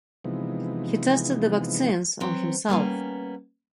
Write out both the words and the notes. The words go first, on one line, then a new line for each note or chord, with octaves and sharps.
He tested the vaccines on himself.
C3 E3 F3 G#3 B3 D#4
F#3 B3 C4 C#5
G3 A#3 B3 C#4